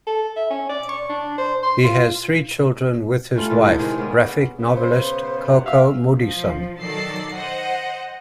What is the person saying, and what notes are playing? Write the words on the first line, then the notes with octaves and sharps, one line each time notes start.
He has three children with his wife, graphic novelist Coco Moodysson.
A4
E5
C#4
D5
C#6
D4
C5
C6
F4
G3 A3 C#4 F4
A2 C3 E3 F4
D#4 G4
D#3 G#3 C4 D5
G#3 B3 C#4 D5
C#3 B3
C5
G2 F#3 F#5
E5 F5
F3
D#3 F#3 A4 D5 A6 C7
C5 D#5 F#5